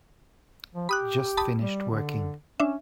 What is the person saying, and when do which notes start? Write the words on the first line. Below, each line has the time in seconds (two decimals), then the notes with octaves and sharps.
Just finished working.
0.75 F3
0.89 G4 B5 D#6 F#6
1.37 A5 B5 D#6
1.61 G3
1.91 D3
2.60 C#4 D4 E5